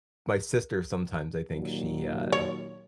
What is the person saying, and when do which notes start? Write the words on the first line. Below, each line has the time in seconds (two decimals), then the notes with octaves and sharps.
my sister, sometimes, I think she, uh,
1.54 D#2 A#2 F#3
2.32 C#5